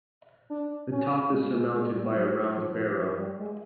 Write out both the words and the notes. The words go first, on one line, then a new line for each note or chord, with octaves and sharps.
The top is surmounted by a round barrow.
D4
C#4
G#3
G#3
G#3
G3
F#3
F3
F3
G3
G#3